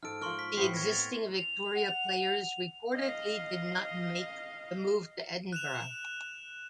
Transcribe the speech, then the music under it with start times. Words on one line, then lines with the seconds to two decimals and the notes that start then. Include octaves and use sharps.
The existing Victoria players reportedly did not make the move to Edinburg.
0.03 G#2 A4 F6 D7
0.21 F3 A#4 C6 C#6 F6
0.39 B6
0.57 A2 B3 C4 C7 C#7
0.75 C#6 G#6 A#6
0.91 A6 F7
1.36 F7
1.76 F#5
2.95 D#5 F5
5.53 F#6 E7 F7